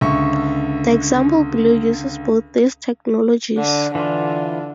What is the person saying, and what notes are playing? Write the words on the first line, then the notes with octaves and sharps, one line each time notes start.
The example below uses both these technologies.
C#2 D3 E5 C#6
D3
D3 E3 F4